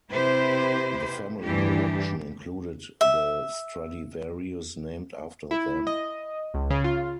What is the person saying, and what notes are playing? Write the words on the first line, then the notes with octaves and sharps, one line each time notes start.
The family collection included the Stradivarius named after them.
C3 E4 G4 B4 C5
D2 G2 E3 D4 G4
E5
E4
D#5
C#2
C#3
F4